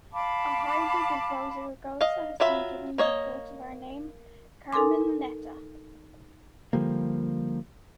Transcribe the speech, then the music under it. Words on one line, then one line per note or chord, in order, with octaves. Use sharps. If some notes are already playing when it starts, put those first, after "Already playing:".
A hybrid with "Rosa rugosa" has been given the cultivar name 'Carmenetta'.
F5 A5 B5 D6
D#5 F5
F#3 F4 E5 B5
A#3 C#5 D#5
D#4 A4 A#4 G#5 C6 D6
D3 F3 G3 A#3